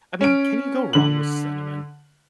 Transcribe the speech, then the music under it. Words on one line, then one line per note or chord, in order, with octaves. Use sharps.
I mean, can you go wrong with cinnamon?
C#4 D7
D3 F#7